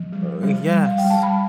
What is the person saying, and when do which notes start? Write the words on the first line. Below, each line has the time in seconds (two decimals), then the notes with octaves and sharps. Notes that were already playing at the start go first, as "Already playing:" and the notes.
Oh, yes,
Already playing: F3
0.13 G3
0.43 G3
0.74 G3
0.86 F5
0.98 G5
1.05 G3
1.10 A5
1.23 B5